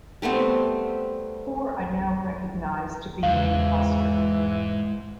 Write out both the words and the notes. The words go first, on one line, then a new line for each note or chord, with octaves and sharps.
Four are now recognised to be in the cluster.
G3 A3 B3 C4
E2 G#2 C#3 E3 F5